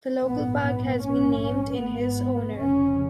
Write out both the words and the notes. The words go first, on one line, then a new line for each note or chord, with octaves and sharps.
A local park has been named in his honour.
A#1 G#2 B3
B3
A#1 G#2 C#4
G#1 G#2 B3
F1 F2 C#3 C#4